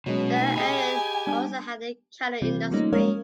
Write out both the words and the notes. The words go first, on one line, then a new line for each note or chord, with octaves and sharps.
The area also had a cattle industry.
B2 F#3 G#3 C#4
A3 B3 D#4 G#5
G4 G#4 D#5 B5
G3 B3 D4
C3 E3 G3 C4 F4
F3 G3 A3 A#3 C#4 D#4
G#3 A#3 C#4 A#4 C#5 F5